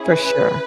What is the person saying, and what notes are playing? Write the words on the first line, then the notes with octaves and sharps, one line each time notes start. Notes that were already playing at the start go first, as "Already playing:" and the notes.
For sure.
Already playing: C#4 E4 G#4
B4